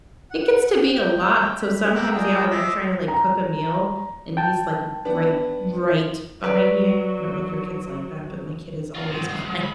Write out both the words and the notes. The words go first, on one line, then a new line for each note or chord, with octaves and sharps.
it gets to be a lot, so sometimes, yeah, when I'm tryna, like, cook a meal and he's, like, right right behind me I don't know if your kid's like that, but my kid is always behind
F#5
G5
B5
F#5 G5 A#5 D6 E6 F#6
F4 G#4 A#4 D5 D#5 G5
D#5 E5 C6 D6 E6
A#5
G5 A5
B3 D4 B4
F#3 B4 D5
F4 F#4
G#2 C3
D#5 F#5
G#3
C2 B5